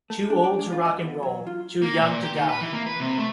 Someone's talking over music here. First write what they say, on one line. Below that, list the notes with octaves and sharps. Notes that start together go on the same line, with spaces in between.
Too Old to Rock 'n' Roll: Too Young to Die!
A3
D4
D4
G#3
F4
D#5
E2
F#3
F4
A#3
A#2
G4
D#3
B4
E3
A#3
B4
C3
A3